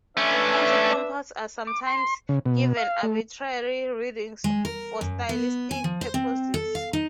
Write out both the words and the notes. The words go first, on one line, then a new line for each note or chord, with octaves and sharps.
Kanji compounds are sometimes given arbitrary readings for stylistic purposes.
A3 C#4 D4 B4 E5
D6
C6
C#3
B2
F5
A3
G#3
A#4
F#2
B3
G#5
F3
C5
C4
A4
F5
D#4